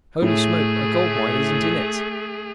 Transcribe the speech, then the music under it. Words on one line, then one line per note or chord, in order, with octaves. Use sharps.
Holy smoke, a gold mine isn't in it!
A2 A3 G#4